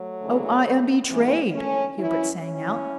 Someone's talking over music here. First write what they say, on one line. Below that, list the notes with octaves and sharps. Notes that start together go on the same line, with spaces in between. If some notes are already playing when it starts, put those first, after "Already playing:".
"Oh, I am betrayed!" Hubert sang out.
Already playing: F#3 A3
D2 C#3 E3
G#2 E3
A3 C#4
F#2 E3 C#4 E4
C#4 E4